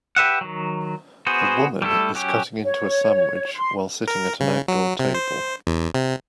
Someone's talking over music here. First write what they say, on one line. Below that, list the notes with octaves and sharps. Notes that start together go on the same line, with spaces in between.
A woman is cutting into a sandwich while sitting at an outdoor table.
G4 B4 E5 F#5
D#3 F#3
B3 F#4 G#4 C5
G3 A3 E4 A4
F#3 C#4 G4
C#5
C6
A#4
C#3
F#3
C3
C5
E2
C3